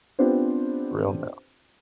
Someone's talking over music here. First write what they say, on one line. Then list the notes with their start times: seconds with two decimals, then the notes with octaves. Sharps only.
real, now.
0.19 B3 C4 D4 F4 G4 C5